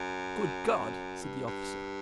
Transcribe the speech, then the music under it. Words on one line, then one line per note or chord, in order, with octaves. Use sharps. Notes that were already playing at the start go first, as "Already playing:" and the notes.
"Good God!" said the officer.
Already playing: F#2
G2
G2